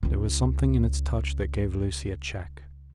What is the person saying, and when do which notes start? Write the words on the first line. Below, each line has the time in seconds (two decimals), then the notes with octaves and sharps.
There was something in its touch that gave Lucie a check.
0.03 C#2 C#3